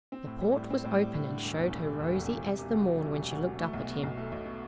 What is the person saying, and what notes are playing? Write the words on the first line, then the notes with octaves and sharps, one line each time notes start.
The port was open and showed her rosy as the morn when she looked up at him.
C4
A2
G3
A2
C4
A2
G3
A2
D3
E1
E2
E1
D3
E1
E2
E1
C3
E1
D2
F#3
C3
E1
D2
F#3
A3
B1
B2
B1
A3
B1
B2